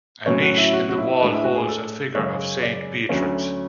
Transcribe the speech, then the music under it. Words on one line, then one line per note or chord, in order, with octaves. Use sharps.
A niche in the wall holds a figure of Saint Beatrix.
A2 F#3 C#4 C#5
F#4
E4
F#4
F#4
E4
A2 G#3 D4 F#4
E4
F#4
G#4
A4
F#2 C#3 G#3 C#5
D5
D2 D3 F#3 A3 C#4